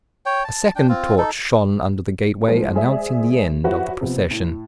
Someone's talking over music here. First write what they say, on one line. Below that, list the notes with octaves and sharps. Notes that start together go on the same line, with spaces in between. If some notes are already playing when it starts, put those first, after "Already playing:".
A second torch shone under the gateway, announcing the end of the procession.
C#5 G5
A5
D4 G5
C4 F4
D#4 A4
A2 F3 G#3
G#3 G#4 C5 D5 E5
F3 E4 F#4 G4 B4 C#5
C3 F3 B3
A2